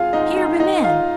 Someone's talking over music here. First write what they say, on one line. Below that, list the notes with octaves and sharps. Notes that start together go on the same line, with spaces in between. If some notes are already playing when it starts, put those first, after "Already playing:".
Here be men!
Already playing: G#1 F4 G#4 F5 G#5
G#2 D#4 D#5
D#4 D#5
G#2 D#4 D#5
F4 F5